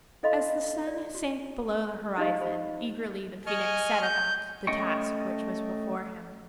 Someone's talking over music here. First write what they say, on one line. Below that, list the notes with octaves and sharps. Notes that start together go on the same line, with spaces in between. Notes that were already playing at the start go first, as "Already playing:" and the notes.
As the sun sank below the horizon, eagerly the Phoenix set about the task which was before him.
E4 A4 D#5 F5 B5 C6
D5
F#4
D#4 F4 G4 D#5 F5 A5
C5 B5
D#5 G#5 C#6 F6
G6
A3 C#4 D#5 G5 C#6